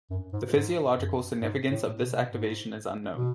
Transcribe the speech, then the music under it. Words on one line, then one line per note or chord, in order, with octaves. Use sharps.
The physiological significance of this activation is unknown.
F#2
G#2
G#2
F#2
G#2
A2
B2
G#2
B2